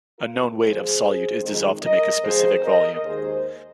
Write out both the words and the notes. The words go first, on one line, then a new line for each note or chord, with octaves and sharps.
A known weight of solute is dissolved to make a specific volume.
F4 A#4
A#2 F3 G#3 G#4 C5
F2 D#3 G#3
A#4 D#5
F2 F3 G#3 G#4 C5
A#4 D#5
D#2 D#3 G#3 G#4 C5